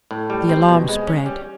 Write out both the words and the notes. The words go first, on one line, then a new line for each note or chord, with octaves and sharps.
The alarm spread.
A2
G3
C4
B2
G#3
C#4
G3